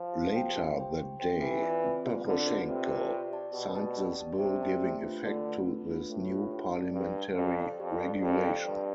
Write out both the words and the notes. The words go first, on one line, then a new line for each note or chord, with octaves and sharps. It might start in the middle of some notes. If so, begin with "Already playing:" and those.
Later that day Poroshenko signed this bill giving effect to this new parliamentary regulation.
Already playing: F3
G4
C5 G5
G4
C5 G5
G4
C5 G5
E3 C4
F4 B4 D5
C4
F4 B4 D5
D3 C4
F4 B4 D5
C3 C4
F4 B4 D5
G4
D5 A5
B2 G4
D5 A5
G4
D5 A5
C3 G4
D5 A5
A3
D4 F4 B4
D3 A3
D4 F4 B4
A3
D4 F4 B4
A2 A3
D4 F4 B4
G4
D5 A5
G2 G4
D5 A5
F2 G4
D5 A5
F2 G4
D5 A5
F2 G4
D5 G5
G2 G4